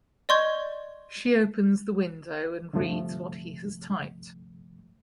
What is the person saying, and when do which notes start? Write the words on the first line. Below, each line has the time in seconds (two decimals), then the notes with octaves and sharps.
She opens the window and reads what he has typed.
0.29 D5 D#5 C6 C#6 G6 G#6
2.73 D2 G2 C3 F3 A3